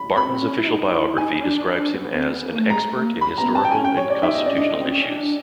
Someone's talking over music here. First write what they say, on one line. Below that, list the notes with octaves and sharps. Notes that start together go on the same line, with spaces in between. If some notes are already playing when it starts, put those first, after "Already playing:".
Barton's official biography describes him as "an expert in historical and constitutional issues".
Already playing: B5
C4 B5
C#4
E4
D#4
E4
D#4 G#5
C#4
D4
D4
B3
C4
B3
A#3
A3
G#3 A#5
A3
A#3
B5
B3 A#5
C4 A5
G5
C#4 G#5
G5
C#5
D5
D#4 E5
B3 D#5
C#4 D5
D4 D#5
C4
C#4
D4